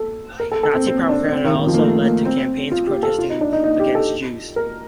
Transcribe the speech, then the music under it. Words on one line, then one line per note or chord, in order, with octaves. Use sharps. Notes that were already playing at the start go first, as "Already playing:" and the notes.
Nazi propaganda also led to campaigns protesting against Jews.
Already playing: A4
A#4
A4
A4
C4
C4
D4
C4
D#3
D#3
F3
A#3
A3
A#3
C4
F4
G4
A4
F4
D#4
D4
D#4
D#4
G4
A4
A#4